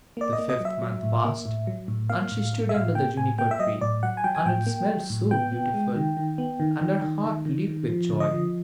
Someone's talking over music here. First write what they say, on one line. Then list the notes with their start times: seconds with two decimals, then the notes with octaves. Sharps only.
The fifth month passed, and she stood under the Juniper-tree, and it smelt so beautiful, and her heart leaped with joy.
0.17 A#3 D5
0.33 D#5
0.38 A#3
0.49 D#5
0.60 F#3
0.65 E5
0.82 F#3
1.03 A2
1.24 A#3
1.46 A2
1.67 F#3
1.88 A2
2.10 A#3 F5
2.32 A2
2.53 A2
2.69 E5
2.74 A2 F5
2.95 A#3 G5
3.17 A2 G#5
3.38 A#3 G5
3.51 E5
3.60 F#3 D#5
3.81 A2 D5
4.03 F#3 F#5
4.17 G#5
4.24 F#3 G5
4.35 G#5
4.46 A2 G5
4.66 A#3
4.89 F#3
5.10 A2
5.31 B3 G5
5.52 B3
5.74 G#3
5.95 D#3
6.17 D#3
6.38 B3
6.60 D#3
6.81 D#3
7.02 D#3
7.24 D#3
7.46 D#3
7.67 D#3
7.88 F3
8.10 D3
8.20 D#5
8.31 F3